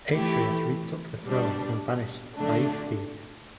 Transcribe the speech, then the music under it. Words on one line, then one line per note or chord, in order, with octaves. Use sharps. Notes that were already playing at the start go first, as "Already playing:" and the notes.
Atreus retook the throne and banished Thyestes.
E3 A3 E4 G4
B2 G3 D4
D3 A3 D4